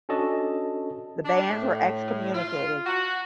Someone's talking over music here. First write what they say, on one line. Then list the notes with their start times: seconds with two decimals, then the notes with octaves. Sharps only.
The bands were excommunicated.
0.09 C#4 D4 F#4 A4 D#5 A5
1.25 D4
1.49 A2
2.34 F4
2.85 F#4